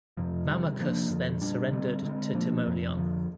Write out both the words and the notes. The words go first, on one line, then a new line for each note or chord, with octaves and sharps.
Mamercus then surrendered to Timoleon.
F2 C3 F3
C3 D#3 G3
C3 F3 A#3 D4
F2 D3 F3
A#2 G3 D4
D3 G3 C4
D3 G#3 C4
A#2 F3 A#3 D4
F2 C3 F3 C4
F2 D3 F3